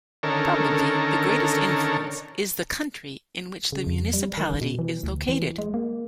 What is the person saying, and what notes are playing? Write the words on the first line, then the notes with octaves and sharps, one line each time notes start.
Probably the greatest influence is the country in which the municipality is located.
D3 D#3 C#4 A4 A#4
C#3
F2
G3
D#3
B2
E3
D2
E3
G#3
A#3